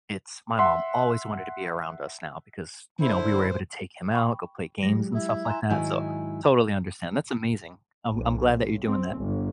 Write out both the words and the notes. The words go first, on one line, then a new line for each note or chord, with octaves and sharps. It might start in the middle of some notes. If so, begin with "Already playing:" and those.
it's my mom always wanted to be around us now because, you know, we were able to take him out, go play games and stuff like that, so, totally understand. That's amazing. I'm I'm glad that you're doing that.
E5 F#5 C6
D3 E4 C5
G5 B5 C#6
F#3 G#3 G4 A#6
E4
G#5 A#5 C6 F#6 E7
G#2 D#3 F#3 E4 G#5
B1
C4
G1